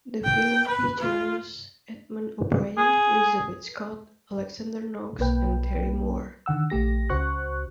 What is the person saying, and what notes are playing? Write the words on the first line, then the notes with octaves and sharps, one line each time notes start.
The film features Edmond O'Brien, Lizabeth Scott, Alexander Knox and Terry Moore.
G5
B4
F4
G#4
B1 A#3 B4 G5
D3 D#3 F#5 E6
A#1 A3 G4 A#6
C#2 C#3 F#4 C5 C#6 F#6